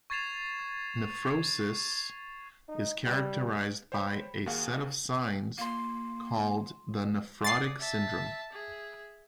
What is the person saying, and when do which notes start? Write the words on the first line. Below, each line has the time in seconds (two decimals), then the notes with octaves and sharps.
Nephrosis is characterized by a set of signs called the nephrotic syndrome.
0.10 C#6 G#6 A6 C7 E7 F7
2.69 D#4
3.05 G3
3.92 C5 C#5 G5 B5
4.46 D#2 A#3 F#4 G#4 F5
5.58 A#3 F4 C6
7.44 D5 D#6 A6 C7
7.80 E5 A5
8.53 G#4 E5